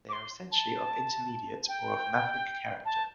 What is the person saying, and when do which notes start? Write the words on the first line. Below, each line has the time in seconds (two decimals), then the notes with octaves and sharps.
They are essentially of intermediate or of mafic character.
0.09 D6
0.12 C6
0.51 A5
1.68 G5
2.85 A5